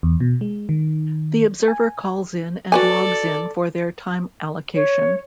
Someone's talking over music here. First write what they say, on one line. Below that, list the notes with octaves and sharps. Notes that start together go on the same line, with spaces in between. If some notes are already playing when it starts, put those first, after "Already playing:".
The observer calls in and logs in for their time allocation.
E2
B2
G#3
D#3
G#5
F#4 A4 B4 D5 G#5
C#5